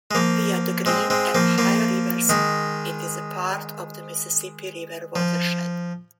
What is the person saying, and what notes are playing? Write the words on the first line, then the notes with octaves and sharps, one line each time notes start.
Via the Green and Ohio rivers, it is part of the Mississippi River watershed.
G#3
F3 A#3
G#3 C4
G#3 C4
F3 A#3
F3 A#3
D#3 G#3
F3